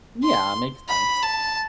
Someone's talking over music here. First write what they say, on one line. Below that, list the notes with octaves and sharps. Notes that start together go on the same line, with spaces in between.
Yeah, makes sense.
C6
B5
A5